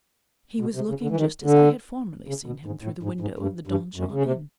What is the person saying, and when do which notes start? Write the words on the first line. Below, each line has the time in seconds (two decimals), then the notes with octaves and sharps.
He was looking just as I had formerly seen him through the window of the Donjon Inn.
0.60 B2
0.75 C3
0.89 C#3
1.02 D3
1.10 E3
1.17 D#3
1.44 D3
2.28 C#3
2.46 B2
2.66 G#2
2.83 A2
3.03 G#2
3.21 G#2
3.39 G2
3.67 G2
3.96 F#2
4.12 C#3
4.24 C3